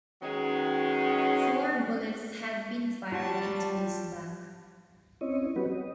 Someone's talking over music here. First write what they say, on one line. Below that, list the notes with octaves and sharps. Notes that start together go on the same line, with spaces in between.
Four bullets had been fired into his back.
D#3 F#3 G#3 B3 C#4
G3 F4 A5 C#6
C4 C#4 E4 C#5 D#5
F#3 B3 F#4 G4 B4
D#5